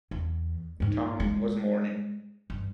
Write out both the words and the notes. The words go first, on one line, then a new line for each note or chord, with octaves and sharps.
Tom was mourning.
E2
G#2 D#4
G#3
G2